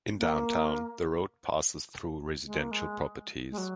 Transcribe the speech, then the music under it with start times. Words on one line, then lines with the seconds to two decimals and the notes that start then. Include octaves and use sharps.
In downtown the road passes through residential properties.
0.19 A#3
2.45 G#3
2.59 A#3
2.71 G#3
3.51 G#3
3.58 F#3